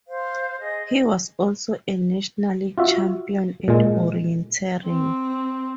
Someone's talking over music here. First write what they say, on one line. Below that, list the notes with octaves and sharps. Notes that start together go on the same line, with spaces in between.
He was also a national champion at orienteering.
C5 F5
G#4 D#5
F4 F#4 E5
A#2 G#3
C4